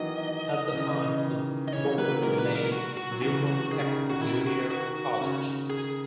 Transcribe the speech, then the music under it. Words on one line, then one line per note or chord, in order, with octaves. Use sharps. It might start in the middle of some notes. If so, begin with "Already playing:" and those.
At the time, it bore the name Doowon Technical Junior College.
Already playing: D#3 E3 F#3 D#5
C#3 E3
C#3 E3
C#3 E3
D#3
D#5
C#3 E3 C#5
D#3 F#3
F#3 A#3 B4
F#3 A#3
E3 G#3 A#4
B4
A#4
F#4
F#4
F#3
C#3 E3 F#4
F#4
D#3 G#4
C#3
D#3
C#3 F#4
D#3 E4
F#4
D#3 F#4
C#3
G#4